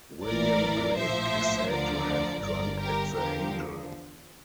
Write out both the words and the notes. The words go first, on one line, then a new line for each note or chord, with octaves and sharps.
William Blake is said to have drunk at the Angel.
A1 A2 E3 A#4 D5
A#1 A2 F3 C5 E5
D2 D3 F3 A#4 D5
G1 G2 D3 A#4 D5
G4 A#4
E2 D3 F3 G4 A#4